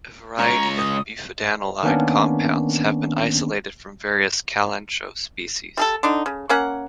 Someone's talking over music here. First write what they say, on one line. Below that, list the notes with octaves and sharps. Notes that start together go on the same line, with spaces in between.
A variety of bufadienolide compounds have been isolated from various "Kalanchoe" species.
C#2 C#5 A#5
D#6
D#3 A#3 B3 C#4 D4
G3 G#4 A4
D3 D4 D#4
C#3
A#3 C#4 F#5